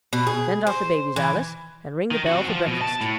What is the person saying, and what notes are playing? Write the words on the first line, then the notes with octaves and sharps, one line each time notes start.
"Send off the babies, Alice, and ring the bell for breakfast."
B2
G#4
C5
E3
D#3
C4 F#4
F3
B2
A5
A2